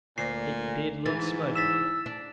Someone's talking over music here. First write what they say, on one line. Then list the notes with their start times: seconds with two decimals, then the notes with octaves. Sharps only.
It did look smudgy.
0.18 D2 A#2 C7
1.06 G#2 E3 A6
1.55 E6 A6 B6 E7
2.06 D4